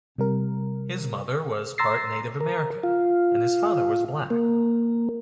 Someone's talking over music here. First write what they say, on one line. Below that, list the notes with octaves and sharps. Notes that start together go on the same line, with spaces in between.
His mother was part Native American, and his father was black.
C3 G3 A#4
A#5 C6 E6 A6 A#6 C7
A#4
F4
A#3